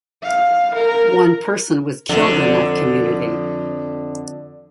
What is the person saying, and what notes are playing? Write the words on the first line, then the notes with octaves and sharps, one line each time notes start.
One person was killed in that community.
F5
A#4
F2 D3